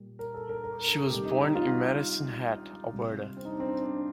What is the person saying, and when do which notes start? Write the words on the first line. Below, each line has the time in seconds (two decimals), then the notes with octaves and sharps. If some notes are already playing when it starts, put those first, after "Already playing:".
She was born in Medicine Hat, Alberta.
Already playing: A#2 G3
0.19 A#4
0.34 A4
0.49 A#4
0.64 A#4
0.87 A4
1.10 C3 D#3 G3 G4
1.25 D#4
1.40 D#4
1.55 F4
2.92 C3 G3
3.37 C4
3.45 D#4
3.52 D4
3.60 C4
3.83 D4